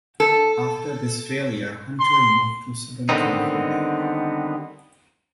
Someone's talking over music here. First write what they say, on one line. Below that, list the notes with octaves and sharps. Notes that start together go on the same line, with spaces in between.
After this failure, Hunter moved to southern California.
A4
C6
D3 D#3 G3 B3 C4 D#4